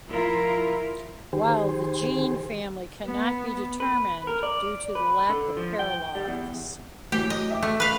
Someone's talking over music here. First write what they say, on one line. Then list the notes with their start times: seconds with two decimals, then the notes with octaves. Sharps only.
While the gene family cannot be determined due to the lack of paralogs.
0.11 F3 E4 F4 A#4
1.33 D#3 G4 G#4 C5
3.04 B3
3.80 B4
4.27 A#4
4.43 D5
4.95 B4
5.29 D3
5.57 F3
5.79 G5
6.15 G3
6.28 E2
7.12 E3 F#3 A3 G4
7.30 D#5
7.50 E5 G5 D6
7.63 A3
7.80 B4 F5